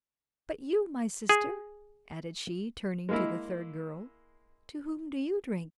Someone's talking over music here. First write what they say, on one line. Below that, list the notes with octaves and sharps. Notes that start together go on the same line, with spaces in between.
'But you, my sister,' added she, turning to the third girl, 'to whom do you drink?'
G#4
G#3 A#3 E4